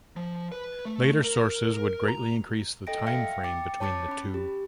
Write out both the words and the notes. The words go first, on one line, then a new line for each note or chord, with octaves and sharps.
Later sources would greatly increase the time frame between the two.
F3
B4
A3
A#4
A#5
A4 D#5 G5 A#6 D7
E5 F5 G5 F6 A#6 C#7
G5 D6 A6 C#7
C#5 A5 B5 D6 A6 C#7
C#4 B5
G4